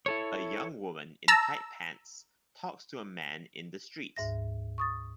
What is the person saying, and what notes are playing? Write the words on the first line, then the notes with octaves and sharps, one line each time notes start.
A young woman in tight pants talks to a man in the street.
E4 A4 C#5
A5 A#5 E6
D2 G#2 E5 A#6
C#6 D#6 A6